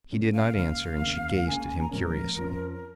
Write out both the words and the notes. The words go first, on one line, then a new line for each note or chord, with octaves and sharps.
He did not answer, and she gazed at him curiously.
A#2 G#3 C#4
F5
C#2 C#3 A#3 F5
D#2 C#3 A#3
C#2 C#3 A#3 G#5
G#5
G#5
A#5
A#2 F3 G#3 C#4 A#4
F2 F3 G#3 C#4